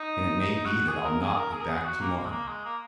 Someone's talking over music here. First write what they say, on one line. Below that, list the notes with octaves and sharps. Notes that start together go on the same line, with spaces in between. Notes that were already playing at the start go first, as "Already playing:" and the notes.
"And it may be that I'll not be back to-morrow."
Already playing: D#4
D#4
F#4
G#4
A#4
G#4
A#4
G#4
A#4
G#4
F#4
A#3
A#3
G#3
A#3
G#3
A#3